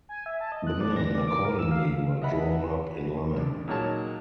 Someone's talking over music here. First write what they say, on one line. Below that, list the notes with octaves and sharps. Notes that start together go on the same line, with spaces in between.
The men, accordingly, were drawn up in line.
G#5
E5
A5
D#5
F#6
D5
A#6
D5
D6
A#4
E6
F5
D#5 E5 F#5 B5
A1 D4
A#2 D#3 F#3 G#3 C#5 A5